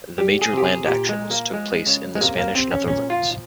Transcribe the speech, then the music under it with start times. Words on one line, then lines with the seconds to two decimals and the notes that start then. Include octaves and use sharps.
The major land actions took place in the Spanish Netherlands.
0.18 G3 G4
0.42 G#4
0.53 C3 G4
0.64 G#4
0.86 A#2 G4
1.09 G#3
1.19 A#2
1.31 A#3
1.54 F3 G#3
1.86 C#3
2.15 G#3
2.21 C3 A#3
2.38 A#3
2.55 C3 C4
2.71 C#4
2.88 A#2 C#4
3.10 F4
3.21 F3